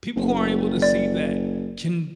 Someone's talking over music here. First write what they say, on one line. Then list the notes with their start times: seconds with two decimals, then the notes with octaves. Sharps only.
people who aren't able to see that can
0.16 F#1
0.82 D5